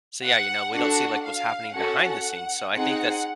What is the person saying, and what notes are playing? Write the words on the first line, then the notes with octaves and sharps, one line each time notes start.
so, yeah, you know, we don't see, like, what's happening behind the scenes, so, I think that's
F#5
D4 F#4 A4 F#5
F5
C#4 F#4 A4 F#5
C4 D#4 G#4 F#5